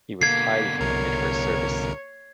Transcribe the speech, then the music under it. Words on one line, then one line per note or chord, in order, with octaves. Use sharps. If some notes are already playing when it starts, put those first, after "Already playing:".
He was highly commended for his service.
B2 D3 A#3 G#6 B6 C7
C2 A#4 C#5